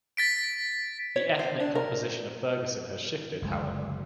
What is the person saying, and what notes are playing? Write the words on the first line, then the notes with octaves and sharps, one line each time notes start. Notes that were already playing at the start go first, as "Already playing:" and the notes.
The ethnic composition of Ferguson has shifted, however.
A6 B6 D7
C#5
C5
D4
A#4
F#1 D2 G#3